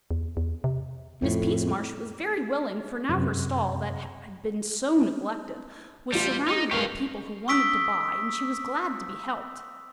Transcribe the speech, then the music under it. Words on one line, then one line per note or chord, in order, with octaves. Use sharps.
Miss Peasmarsh was very willing, for now her stall, that had been SO neglected, was surrounded by people who wanted to buy, and she was glad to be helped.
E2
E2
C3
F2 A2
F#2 C3
A1 G3 F4
D#4
G2 G4 A#4 F5 C#6
C#6 D#6 E6 B6 D7 G7